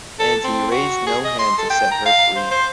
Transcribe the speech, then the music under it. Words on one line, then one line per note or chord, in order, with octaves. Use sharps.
And he raised no hand to set her free.
A4
C4
F#4
G#4
D#5
C6
A4
G5
A#5
F5
C5
C5